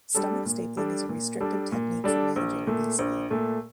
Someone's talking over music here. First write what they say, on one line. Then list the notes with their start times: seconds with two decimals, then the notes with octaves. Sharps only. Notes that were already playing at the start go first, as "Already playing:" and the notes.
Stomach stapling is a restrictive technique for managing obesity.
0.15 G3 D4 A4
0.46 A#2
0.77 G3 D4 A4
1.09 A#2
1.40 G3 D4 A4
1.72 A#2
2.04 G3 D4 A4
2.36 A#1
2.67 A#2 A3
2.99 A#1
3.30 A#2 A3